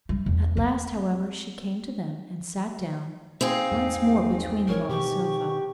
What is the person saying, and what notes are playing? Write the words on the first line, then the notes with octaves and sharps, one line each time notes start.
At last, however, she came to them, and sat down once more between them on the sofa.
G3
E2
C4
C4 D#4 G#4 F5
E2 G#2
G#1 A#4 C#5
B2 D#3 G4 C#6